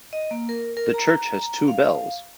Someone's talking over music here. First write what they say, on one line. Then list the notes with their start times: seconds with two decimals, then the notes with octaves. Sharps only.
The church has two bells.
0.13 D#5
0.31 A#3
0.49 A#4
0.77 A#4
0.94 A#5
1.68 F5